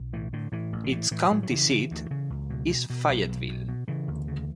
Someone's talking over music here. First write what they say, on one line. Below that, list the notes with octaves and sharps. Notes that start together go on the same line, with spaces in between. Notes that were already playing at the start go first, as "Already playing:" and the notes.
Its county seat is Fayetteville.
Already playing: B1
A2 E3
A2 D3
A2 E3
A1
D3
A2 E3
A2 E3
A2 F#3
F#3
C#3 E3
C#3
D2
C#3
C#2
B2
B2
B2
B1
B1
B2
B2
C#3 E3
D2
C#3